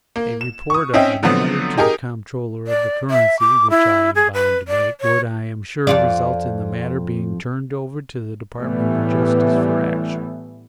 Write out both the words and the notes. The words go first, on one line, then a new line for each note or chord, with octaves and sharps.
A report of the matter to the Comptroller of the Currency--which I am bound to make--would, I am sure, result in the matter being turned over to the Department of Justice for action.
A#3
E7
C#6 D#6
C4 C#4 D#4 D#5 E5 G5
D3 F3 F#3 A3 B3 C4
D#4 G4 G#4 A#4
D5
E5
D6
E4
G#4
B4
D5
C#5
F2 F4 D5
A2 E3 G3 A3 B3